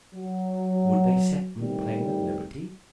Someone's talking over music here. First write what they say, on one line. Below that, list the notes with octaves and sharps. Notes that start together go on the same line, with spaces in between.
Would they set Gwynplaine at liberty?
F#3
A2 C3 D#3 G3